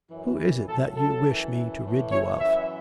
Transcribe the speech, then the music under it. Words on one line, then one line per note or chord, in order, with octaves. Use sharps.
Who is it that you wish me to rid you of?'
F#2 E3
A2 F#3 A4
A4
F#2 E3
A2 E3
C#5
F#2 E3 E5